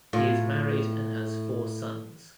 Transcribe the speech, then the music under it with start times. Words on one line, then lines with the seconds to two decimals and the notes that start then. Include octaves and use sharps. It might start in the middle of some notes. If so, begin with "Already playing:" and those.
He is married and has four sons.
0.13 A2 F4